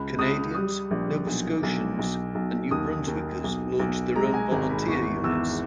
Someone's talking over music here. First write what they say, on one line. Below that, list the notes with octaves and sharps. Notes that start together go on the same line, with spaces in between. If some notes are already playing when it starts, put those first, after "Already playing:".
Canadians, Nova Scotians, and New Bruswickers launched their own volunteer units.
Already playing: C#2 B5
C#2 D#6
G3 D#6
A#1
B1
B1
B1
B1
D#2 D#6
D#2
B1
B1
G#3 A#5
G#5
G#1 A#5
B5
E2 C#6
E2 E6